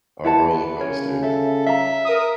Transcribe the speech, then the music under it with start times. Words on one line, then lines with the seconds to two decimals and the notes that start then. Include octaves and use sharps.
a roller coaster.
0.24 E4 B4 F#5 A5
0.80 C#3 A#4 C#5 G#5
1.23 A4 E5
1.66 E5 F5 A#5
2.05 A#4 D#6